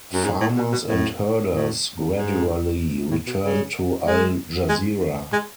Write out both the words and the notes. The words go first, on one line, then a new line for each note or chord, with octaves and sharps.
Farmers and herders gradually returned to Al Jazirah.
F#2
G#2
A2
B2
B2
A2
A2
G#2
A2
B2
C#3
G#3
G#3
G#3